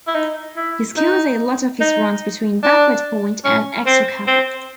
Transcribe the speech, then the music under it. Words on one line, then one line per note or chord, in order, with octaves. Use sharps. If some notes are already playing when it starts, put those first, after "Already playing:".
He scores a lot of his runs between backward point and extra cover.
E4
D#4
E4
D#4
D#4
D4
C#4
C4
C4